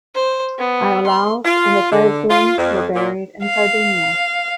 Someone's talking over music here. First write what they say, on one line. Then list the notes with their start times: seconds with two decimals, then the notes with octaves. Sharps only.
Iolaus and the Thespians were buried in Sardinia.
0.15 C5
0.58 B3
1.06 C6
1.45 F4
1.91 D3
2.30 F4
2.57 F2
2.95 A#2
3.45 F5